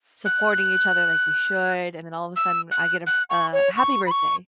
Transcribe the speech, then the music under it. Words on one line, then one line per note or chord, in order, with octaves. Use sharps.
supporting each other like we should, and then all of a sudden I get a a happy birthday.
F#6
E6
F#6
F#6
C#6
C#5
C#6
B5
C#6